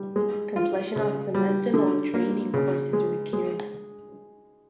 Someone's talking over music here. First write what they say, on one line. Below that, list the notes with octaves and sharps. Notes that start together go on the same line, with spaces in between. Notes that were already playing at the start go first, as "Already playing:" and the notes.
Completion of a semester long training course is required.
Already playing: G3
G#3
F4
C#3
G3
D3
A#3
C#3
G#3
G#3